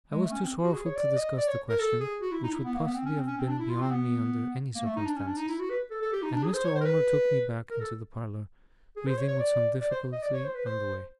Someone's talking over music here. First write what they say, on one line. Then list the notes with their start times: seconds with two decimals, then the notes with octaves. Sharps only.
I was too sorrowful to discuss the question, which would possibly have been beyond me under any circumstances; and Mr. Omer took me back into the parlour, breathing with some difficulty on the way.
0.11 G#3
0.22 A3
0.31 C#4
0.43 C4
0.64 F#4
0.73 G#4
0.85 C#5
0.96 D5
1.11 D5
1.16 D#5
1.38 D5
1.48 C#5
1.69 A#4
1.79 A4
2.00 G#4
2.21 F#4
2.32 E4
2.43 D#4
2.53 E4
2.64 B3
2.75 A#3
2.85 B3
2.95 C4
3.05 C#4
3.17 C4
3.27 C#4
3.38 C4
3.48 D4
3.59 E4
3.69 F4
3.80 C4
3.90 B3
4.75 A#3
4.85 A3
4.96 D#4
5.06 D4
5.16 C#4
5.27 D4
5.38 D#4
5.48 E4
5.59 F#4
5.70 B4
5.91 A4
6.02 A4
6.12 G4
6.22 D#4
6.33 D4
6.43 G#4
6.54 C5
6.64 C#5
6.75 C5
6.81 A#4
6.85 B4
7.70 A#4
7.81 A4
8.96 G#4
9.07 C5
9.17 C#5
9.28 C#5
9.39 D5
9.81 D5
9.91 C5
10.13 D#5
10.22 D5
10.33 C#5
10.44 C5
10.55 B4
10.66 C5